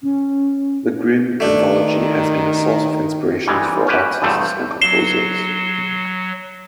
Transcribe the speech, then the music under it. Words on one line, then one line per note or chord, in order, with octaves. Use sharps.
The Grimm anthology has been a source of inspiration for artists and composers.
C#4
D#3 A3 D4
G#2 E3 G3 G#3
C#4 F#4 G4 B4
E2 G2 B2 G3 A3 C4
F#3 C7 E7 G7